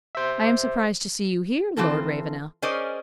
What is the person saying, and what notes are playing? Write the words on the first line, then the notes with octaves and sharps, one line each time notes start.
"I am surprised to see you here, Lord Ravenel."
C5 E5
E3 F#3 C4 F4 A4 A#4
C#4 G#4 A#4 C5 D5 D#5